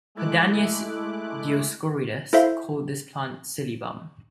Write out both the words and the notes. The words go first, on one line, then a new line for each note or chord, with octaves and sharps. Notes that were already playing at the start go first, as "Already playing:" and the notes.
Pedanius Dioscorides called this plant silybum.
G#3 A3 E4 D6 F#6
E4 A4 C5 E5 F5